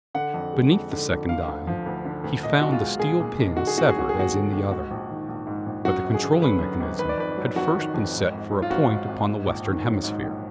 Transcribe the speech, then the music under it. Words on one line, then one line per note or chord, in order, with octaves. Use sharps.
Beneath the second dial he found the steel pin severed as in the other, but the controlling mechanism had first been set for a point upon the western hemisphere.
D3 F#5
F2
G#3
F2
D3
F2
D3 F5
D2
F3
D2
D3
D2
A#2 D#5
B1 F#4
F4
G#3
B1 G#4
A#2
B1
D3 F#4
G#4
D#2 F#4
G#4
F#3 F#4
G#4
D#2 F#4
D3
D#2
G#2 F#4
A#1
D#3
A#1
G#2
A#1
F#2 F#4
G#1
G#4
D3
F#3 B4
F#2
G#1
D#3 B4
D5
F2 B4
F#3
F2 F#4
D#3
F2
G#2
G#1
F#3
F4
G#1 F#4
G#2
G#1
G#2
A#1
D#3
F#3
G#2
A#1